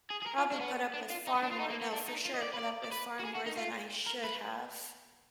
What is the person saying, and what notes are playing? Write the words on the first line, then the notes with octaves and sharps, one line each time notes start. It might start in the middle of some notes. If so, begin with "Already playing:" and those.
probably put up with far more no, for sure, put up with far more than I should have.
G#4
G#4
A#4
F4
D4
B3
D4
F4
D#4
B3
D4
F4
D#4
A#3
B3
D4
D#4
F4
D#5
D5
B4
D5
D5
B4
F#4
G#4
F#4
D#4
F4
A#4
B4